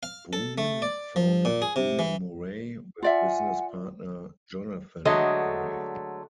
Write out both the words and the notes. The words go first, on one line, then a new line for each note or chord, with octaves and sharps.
Bunim founded Bunim-Murray with business partner Jonathan Murray.
F5
A4
A3
D5
F3
A#2
G#4
C3
E3
F4 D5 E5 F#5 G#5
D3 F#3 G#3 A3 D#5